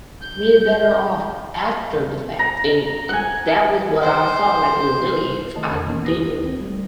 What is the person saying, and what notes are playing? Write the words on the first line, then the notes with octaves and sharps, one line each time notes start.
way better off after the fact, and, eh, that was what I saw, like, resilience. I didn't,
G6
A#5
F#5 G#5
C5
D#3 A3 D#5 A5
F2 B2 A#4
D#3 E3 A#3 B3 C#4 D#4
D2 G4 D#6 A#6
C4
G3 A3